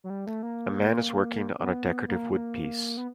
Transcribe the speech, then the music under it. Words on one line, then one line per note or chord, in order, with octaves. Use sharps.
A man is working on a decorative wood piece.
F#3
G3
A3
A#3
B3
A#3
A#3
B3